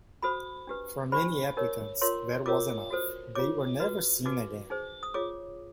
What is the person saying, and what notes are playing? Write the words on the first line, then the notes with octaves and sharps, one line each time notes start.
For many applicants that was enough; they were never seen again.
F#4 A4 C5 B5
D4 G4 B4
D4 G4 C5 B5
D#4 G4 A#4 C#5
F4 A#4 C#5 C6
F4 A#4 C#5 D6
F#4 A4 C5
F4 G#4 C#5 D6
F#4 B4
D#4 F#4 B4 D6
D#4 G#4 C5
D#6
F4 G#4 C#5 D6